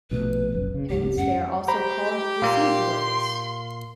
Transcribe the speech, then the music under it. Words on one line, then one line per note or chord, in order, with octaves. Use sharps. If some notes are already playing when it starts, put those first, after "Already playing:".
Hence they are also called received words.
A#1 B2 A3 B4
F1 A#1 F#2
C#3
D#1 C#2 G#2 G4
F#2 C#4 F#5
G4 C5 A#5 B5
A#2 A#3 F5 C6